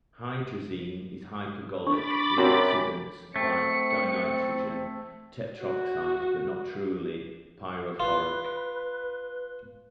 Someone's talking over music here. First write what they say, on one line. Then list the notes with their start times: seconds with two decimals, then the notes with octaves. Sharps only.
Hydrazine is hypergolic with oxidants like dinitrogen tetroxide, but not truly pyrophoric.
1.87 D4 B5 C#6 D6 A6
2.37 F#2 C4 F#4 G4
3.36 A3 C4 C#7
5.63 F#4
8.00 F4 B4